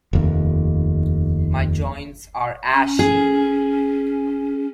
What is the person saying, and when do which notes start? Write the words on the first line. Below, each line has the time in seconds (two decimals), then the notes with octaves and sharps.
My joints are aching.
0.13 F1 D#2
2.73 C#4
2.99 G#4